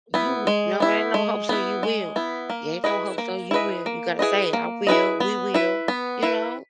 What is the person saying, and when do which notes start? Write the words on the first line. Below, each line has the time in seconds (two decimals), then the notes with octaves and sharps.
you w no, ain't no "Hope so." You will. Yeah, ain't no "Hope so." You will, you gotta say, "I will. We will," you know?
0.14 B3 E4
0.47 G#3
0.80 B3 E4
1.14 G#3
1.49 B3 E4
1.83 G#3
2.16 B3 E4
2.50 A#3
2.84 E4 G#4 B4 D#5
3.18 A#3
3.51 E4 G#4 B4 D#5
3.86 A#3
4.19 E4 G#4 B4 D#5
4.53 A#3
4.87 E4 G#4 B4 D#5
5.20 B3
5.54 E4 B4
5.88 B3
6.23 E4 B4